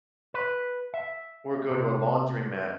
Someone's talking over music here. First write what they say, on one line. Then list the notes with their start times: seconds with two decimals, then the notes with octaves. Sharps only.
Or go to a laundromat,
0.34 B4
0.94 E5
1.71 C3